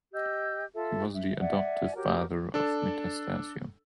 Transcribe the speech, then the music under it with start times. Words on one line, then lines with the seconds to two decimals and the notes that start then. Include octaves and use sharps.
He was the adoptive father of Metastasio.
0.12 G4 D#5 E6 G6
0.74 F4 A4 E5
1.13 E5
1.39 D5 E5 F#5 G#5
1.95 F#4 G4 A#4 C#5
2.54 D4 A4